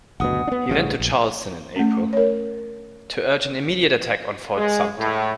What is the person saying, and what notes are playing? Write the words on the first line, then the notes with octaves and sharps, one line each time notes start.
He went to Charleston in April, to urge an immediate attack on Fort Sumter.
F#1 D2 B2 F#5 D#6
B3 D4
A1 G2 C#3
A#1
A3 C#4
A#4 C#5
G#3
A2